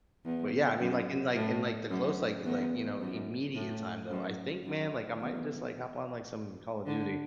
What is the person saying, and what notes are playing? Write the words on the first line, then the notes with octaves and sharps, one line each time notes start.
But, yeah, I mean, like, in, like in, like, the close, like like, you know, immediate time, though, I think, man, like, I might just, like, hop on, like, some Call of Duty.
E2
F#2
A2
F#2
E2
F#2
A2
F#2
F#2
E2
D3